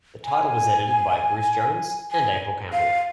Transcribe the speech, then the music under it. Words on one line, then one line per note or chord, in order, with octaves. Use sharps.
The title was edited by Bruce Jones and April Campbell.
G#5
G#5
F5